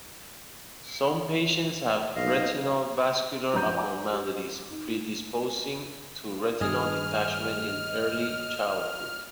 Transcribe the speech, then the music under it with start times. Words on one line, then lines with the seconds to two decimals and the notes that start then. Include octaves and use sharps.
Some patients have retinal vascular abnormalities predisposing to retinal detachment in early childhood.
2.16 B1 D#5 F5
3.53 A#1 F#2 A#5 G6 D#7
3.74 D5 F#5 G#5 A#5 D6
4.11 G4
4.71 D#4
6.61 G2 D#3 G#4 D#5 D#6 F6